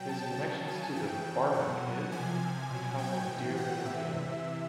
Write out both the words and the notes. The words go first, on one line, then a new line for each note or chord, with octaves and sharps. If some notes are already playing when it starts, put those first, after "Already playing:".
His connections to the Barmakid cost him dearly in the end.
Already playing: B2 F#3 G5
A5
C#3 F#3
G#5
C#3 E3 G5
F#3 F#5
B2
C3 F3 G#5
B2 F#3
G5
A2 E3
F#5
C3 E3 E5